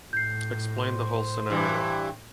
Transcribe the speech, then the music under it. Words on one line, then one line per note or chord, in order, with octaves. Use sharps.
Explain the whole scenario.
A2 G6 C7
C5
G2 E3